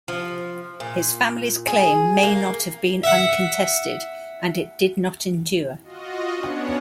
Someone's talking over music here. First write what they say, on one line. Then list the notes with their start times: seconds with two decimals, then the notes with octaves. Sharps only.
His family's claim may not have been uncontested, and it did not endure.
0.08 F3
0.80 A#2
1.67 G#4
2.23 A#3
3.04 E5 F#5
5.83 F4 F#4 D#5
6.34 B3 C#4 D4 C#5 F#5